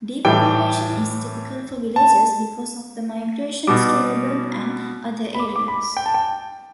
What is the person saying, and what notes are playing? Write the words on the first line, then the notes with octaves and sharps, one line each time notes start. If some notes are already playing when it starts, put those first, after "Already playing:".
Depopulation is typical for villages because of the migrations to urban and other areas.
A2 E3 G3 G5
A5
B2 G3 D6
B5
D6
D6
B5
G5
A5
G5